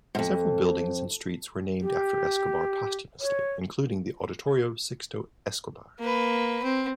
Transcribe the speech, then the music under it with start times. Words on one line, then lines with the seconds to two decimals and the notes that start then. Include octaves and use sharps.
Several buildings and streets were named after Escobar posthumously, including the "Auditorio Sixto Escobar".
0.15 F2 G#2
1.81 G4
3.20 C#5
5.99 A#3 B4
6.63 C4